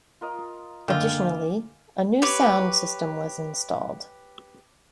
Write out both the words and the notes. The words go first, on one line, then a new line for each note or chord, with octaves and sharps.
Additionally, a new sound system was installed.
F4 A#4 D#5
F#1 D3 D#3 F4 E5 G#5 D6
G4 B4 C#5 D6